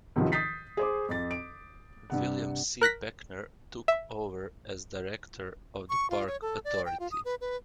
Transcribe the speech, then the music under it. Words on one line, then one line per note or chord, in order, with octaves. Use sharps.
William C. Beckner took over as director of the Park Authority.
C#2 C3 D#3 F3 F#3
D#6 G6 A6 B6 C7
G#4 C5 D6
F2 A6
D7
G2 C3 F#5
A#4 F#6 A#6 B6
E5
C#6
F4
C#5
A4
D5
G5
F4
D#6
B4
B4